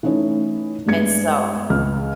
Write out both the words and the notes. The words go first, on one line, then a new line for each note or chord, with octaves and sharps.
And so
E3 A3 C#4 D#4 C#5
G2 G3 G#3 B3 G#6 C#7
C#2 F6